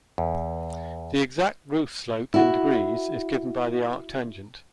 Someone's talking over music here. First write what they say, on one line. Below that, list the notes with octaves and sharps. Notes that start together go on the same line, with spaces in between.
The exact roof slope in degrees is given by the arctangent.
E2
E4 F#4